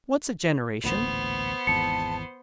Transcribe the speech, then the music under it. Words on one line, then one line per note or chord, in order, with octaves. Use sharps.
"What's a generation?"
A1 D2 A#2 B3 C5
G#1 E2 G#2 A5 C#7